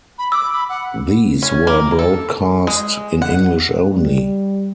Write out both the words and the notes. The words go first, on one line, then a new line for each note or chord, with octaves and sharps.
These were broadcast in English only.
B5
D6 E6
B5
F#5
C#4
A#3
A4
G#3
F#5
G3